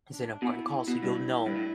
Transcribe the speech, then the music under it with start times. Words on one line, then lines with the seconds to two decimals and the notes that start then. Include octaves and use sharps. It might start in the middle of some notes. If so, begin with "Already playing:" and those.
It's an important call so you'll know
0.12 D4
0.42 B2 E4
0.88 B2
1.03 G2
1.46 G2
1.56 A2